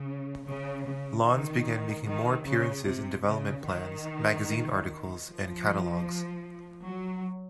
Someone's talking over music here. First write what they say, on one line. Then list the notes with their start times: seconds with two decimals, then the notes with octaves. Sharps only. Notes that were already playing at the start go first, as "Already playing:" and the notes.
Lawns began making more appearances in development plans, magazine articles, and catalogs.
Already playing: C#3
0.46 C#3
0.86 C#3
1.25 D#3
2.06 D#3
2.46 C#3
2.85 C3
3.26 C#3
3.66 D#3
5.26 F3
6.85 F#3